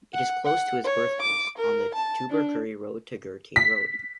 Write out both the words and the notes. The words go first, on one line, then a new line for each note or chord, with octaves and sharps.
It is close to his birthplace, on the Tubbercurry to Gurteen road.
F#5
F#5
C#5
D6
A#4
A5
D4
B6